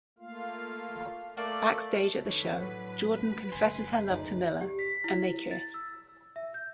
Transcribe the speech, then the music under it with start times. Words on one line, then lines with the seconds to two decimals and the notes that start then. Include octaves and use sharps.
Backstage at the show, Jordan confesses her love to Miller and they kiss.
0.19 A3 A#3 F4 F5
1.37 A3 A#3 D5
2.25 D#3 D4 A4 B4 C#5
2.59 A2 F#3 F#5
3.52 F#1 B2 G#5 C6
4.08 D2 D#4 G#4 D5
4.61 G4
4.79 B6
5.04 E4
5.51 A6
5.74 E6
6.36 E5
6.54 G6